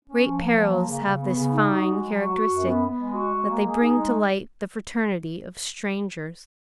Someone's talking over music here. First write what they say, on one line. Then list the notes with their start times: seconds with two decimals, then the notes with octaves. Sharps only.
Great perils have this fine characteristic, that they bring to light the fraternity of strangers.
0.05 C#4
0.21 F3
0.37 A#3
0.54 F3
0.70 A#3
0.86 C#3
1.03 C#3
1.19 B3
1.35 C#3
1.51 D#4
1.67 F#4
1.84 G#3
2.00 F#3
2.17 F#4
2.33 F#4
2.50 F#2
2.66 B3
2.82 B3
2.98 G#3
3.14 F#4
3.31 G#3
3.47 A#3
3.63 G#4
3.80 D#4
3.96 G#3